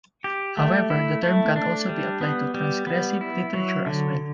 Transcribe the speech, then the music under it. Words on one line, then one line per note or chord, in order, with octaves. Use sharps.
However, the term can also be applied to transgressive literature as well.
G4
A3
E4
A3
D4
G3
B3
G3
B3
E4
F#3
D3